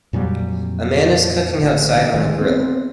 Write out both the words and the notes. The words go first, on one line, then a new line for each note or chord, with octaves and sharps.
A man is cooking outside on a grill.
F2 A#2 F#3 G3
A1 D3
D1 D#3 G#3 A3
B3 C4